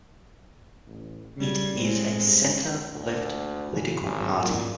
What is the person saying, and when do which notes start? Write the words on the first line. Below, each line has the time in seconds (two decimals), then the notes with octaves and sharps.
It is a centre-left political party.
0.87 A1
1.36 C#3 G3 G#6
1.74 A2 G#3 C4
2.18 G2
2.92 D2
3.73 C#3 E3 F#3
4.02 G#1 G#2 F#3
4.39 A#2